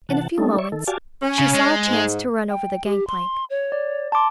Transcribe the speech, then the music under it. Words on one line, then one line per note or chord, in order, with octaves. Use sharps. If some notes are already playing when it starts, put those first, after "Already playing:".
In a few moments she saw a chance to run over the gangplank.
C3 E3 F#5 A5
G3 A3 C#4 D#4 A4
C#5 D5 E5 C#6
D#3 A4
F#4 G4 D5 F5 G#5 A5
C#4
C#3
G#3
G#2
G5
G4
C6
C#5
D5
A5 C6 D6